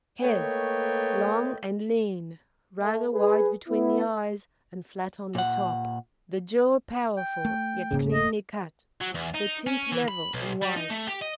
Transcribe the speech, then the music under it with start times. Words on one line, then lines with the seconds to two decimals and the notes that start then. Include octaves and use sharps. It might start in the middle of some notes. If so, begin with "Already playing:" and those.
HEAD--Long and lean, rather wide between the eyes and flat on the top; the jaw powerful yet cleanly cut; the teeth level and white.
0.21 A3 A#3 B4 C#5 D#5 G5
2.81 A3
3.13 G#4 B4
3.68 B3 E4
5.35 A#2 F#5
7.17 G5
7.45 A3
7.91 E1 G#2 C#3 A#3
8.13 D#5
9.01 F#3
9.15 E2
9.34 D#4
9.67 C#4
9.92 E3
10.08 B5
10.34 B1
10.62 G3
10.77 D#4
10.91 A3
11.08 G4
11.22 D#5